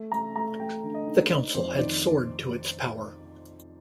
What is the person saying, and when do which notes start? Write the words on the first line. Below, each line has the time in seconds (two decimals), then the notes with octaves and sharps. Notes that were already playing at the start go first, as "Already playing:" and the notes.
The Council had soared to its power.
Already playing: A3
0.12 A3 A#5
0.36 A3 A#5
0.60 A3 G5
0.83 D3
0.94 D#5
1.07 D#4
1.30 D#4 D5
1.55 F2 C5
1.77 D#3 D5